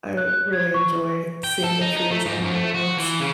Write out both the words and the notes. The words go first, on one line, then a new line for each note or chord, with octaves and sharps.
I really enjoy seeing the trees on my walks,
F#6
G#6
C#6
G5
A4
D#4
D#4
A3
G#2
F#2
A3
F#4
E3
C#3